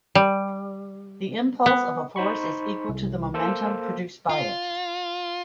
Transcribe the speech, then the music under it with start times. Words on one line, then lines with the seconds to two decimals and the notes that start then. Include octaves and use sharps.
The impulse of a force is equal to the momentum produced by it.
0.15 G3
1.66 B3
2.16 D#4 C5 B5 C#6
2.89 C2
3.34 A#3 A4 C5
4.29 F4